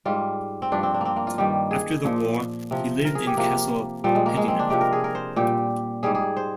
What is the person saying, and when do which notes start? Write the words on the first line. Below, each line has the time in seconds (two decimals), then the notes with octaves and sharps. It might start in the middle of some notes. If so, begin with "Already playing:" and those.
After the war he lived in Castle Hedingham.
0.05 G#2 G3 F4
0.62 C4
0.72 G2 F3 D4
0.83 C4
0.94 D4
1.01 A#3 C4
1.16 A#3
1.27 F4
1.38 G2 D#3 G3 G4
1.71 G#4
2.05 A#2 F3
2.71 C3 F3
3.05 A#4
3.15 G#4
3.27 G4
3.37 C3 F3 A#3
4.04 A#2 F3 G3
4.15 G#3
4.26 A#3
4.37 G#3
4.48 C4
4.59 D4
4.70 C3 F3 G4
4.81 A#4
4.92 G#4
5.04 A#4
5.15 C5
5.36 A#2 G3 G4
6.03 G#2 G3 G#4
6.15 G#4
6.37 C5